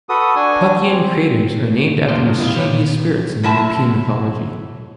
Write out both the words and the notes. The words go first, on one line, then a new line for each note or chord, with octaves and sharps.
Puckian craters are named after mischievous spirits in European mythology.
F#4 A4 B4 D#6
D4 F#4 G#5
C4
E2 A2 A#3 C5
A#2 F#3 A#3 C4 D#4 F4
B3 E4 F5
F4 G4 B4 C#5
A#2
F#2 F#3 E4 F#4 E5 A5